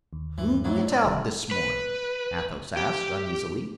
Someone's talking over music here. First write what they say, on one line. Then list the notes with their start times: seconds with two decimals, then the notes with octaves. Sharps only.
"Who went out this morning?" Athos asked, uneasily.
0.13 D#2
0.38 G2 E3
0.64 F2 A2 F#3
0.87 G#2 D3 D5 E6
1.04 D1 C3 D#3 G3
1.51 B4
2.77 G4